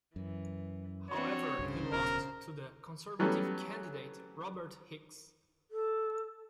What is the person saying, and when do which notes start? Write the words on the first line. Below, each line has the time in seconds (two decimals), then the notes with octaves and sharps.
However, he lost to the Conservative candidate Robert Hicks.
0.16 F#2 E3
1.10 C4 D4 F#4 C#5
1.59 C2 G2 C#3 C5
1.92 D#1 B2 A#4
3.19 E3 F#3 G3 A3 B3 C#4
5.71 A4